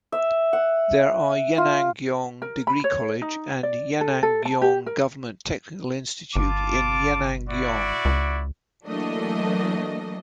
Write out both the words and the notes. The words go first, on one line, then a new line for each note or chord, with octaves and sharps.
There are Yenangyaung Degree College and Yenangyaung Government Technical Institute in Yenangyaung.
E5
F#5
F4
A#4
B5
C#5
D#4
D5
A4
A4
A5
G4
A#4
G1 F4 A5 D6
E4 F#4 D5
C#2
E3 F#3 A3 A#3 D4 D#5